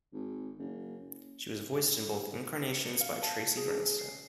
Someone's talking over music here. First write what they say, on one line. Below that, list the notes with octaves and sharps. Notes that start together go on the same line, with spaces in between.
She was voiced in both incarnations by Tracy Grandstaff.
G#1
F#1
C#7
F5
A5
G#4
C#4
C7